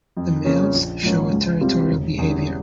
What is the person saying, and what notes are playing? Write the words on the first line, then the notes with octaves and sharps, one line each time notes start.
The males show a territorial behavior.
F2
C#3 F3 A#3 C#4
A#1
G#2 F3 A#3 C#4
C#2
C3 G3 C4 F4
E1
E2 C#3 G3